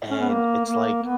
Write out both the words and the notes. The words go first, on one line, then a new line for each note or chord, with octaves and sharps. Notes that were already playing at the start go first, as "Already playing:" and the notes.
And it's like
C#4
B3
A#3
A#3
B3